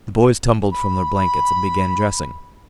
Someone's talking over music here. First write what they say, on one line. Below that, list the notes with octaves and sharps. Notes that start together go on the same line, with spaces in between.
The boys tumbled from their blankets and began dressing.
B5
B5